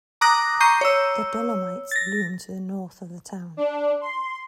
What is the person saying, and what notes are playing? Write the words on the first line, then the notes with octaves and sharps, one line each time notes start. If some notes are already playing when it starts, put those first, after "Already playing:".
The Dolomites loom to the north of the town.
A#5 D6 D#6 F#6 A#6
A#5 C#6 G6 C7 D#7
C#5 E6
A6 A#6
D4
C6